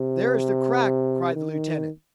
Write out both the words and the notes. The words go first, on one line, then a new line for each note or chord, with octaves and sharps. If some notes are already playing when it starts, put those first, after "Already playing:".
"There is the crack!" cried the lieutenant.
Already playing: C3
D#3